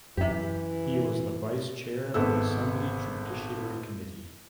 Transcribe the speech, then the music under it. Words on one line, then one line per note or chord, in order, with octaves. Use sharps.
He was the Vice Chair of the Assembly Judiciary Committee.
F#2 E3 G4 E5
G#1 B3 A4 E5 E6